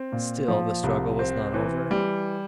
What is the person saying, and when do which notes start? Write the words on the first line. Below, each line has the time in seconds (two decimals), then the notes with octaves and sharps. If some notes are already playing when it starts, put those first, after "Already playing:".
Still the struggle was not over.
Already playing: C4
0.12 A#2
0.48 F3
0.83 C2
1.19 C4
1.54 E3
1.91 G3